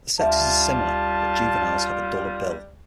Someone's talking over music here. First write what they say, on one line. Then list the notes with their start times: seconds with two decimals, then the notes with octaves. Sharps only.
The sexes are similar, but juveniles have a duller bill.
0.20 D2 G3 F4 E5 A5